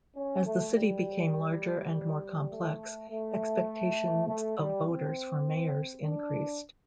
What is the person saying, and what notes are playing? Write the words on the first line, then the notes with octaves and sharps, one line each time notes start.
As the city became larger and more complex, expectations of voters for mayors increased.
C#4
A3
G3
A3
A3
A3
G3
C4
D4